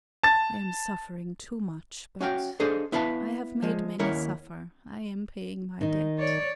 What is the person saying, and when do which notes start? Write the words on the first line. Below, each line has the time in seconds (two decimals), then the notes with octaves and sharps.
I am suffering too much, but--I have made many suffer, I am paying my debt!
0.23 A5 A6
2.21 C#4 F#4 F5 G5
2.60 D4 G#4 A4 C5 D#5 F5
2.92 B3 E4 B4 F5 A5
3.62 F3 G#3
3.99 D#2 C#4 E4 A#4 F#5
5.81 D#3 D#4
6.19 C#5 D5